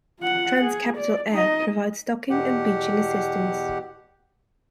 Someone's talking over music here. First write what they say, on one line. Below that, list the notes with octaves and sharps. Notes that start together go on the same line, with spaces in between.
Trans-Capital Air provides docking and beaching assistance.
F4 F#5
G#4
D5
D#4 D#5
E2 B2 G4 F#5